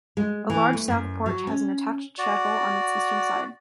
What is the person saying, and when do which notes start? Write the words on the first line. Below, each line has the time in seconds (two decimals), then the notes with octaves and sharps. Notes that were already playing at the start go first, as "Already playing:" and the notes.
A large south porch has an attached chapel on its eastern side.
0.17 G#3
0.50 E3
0.73 A3
0.88 F#2
1.26 F#3
1.47 C#4
2.18 F#4 D5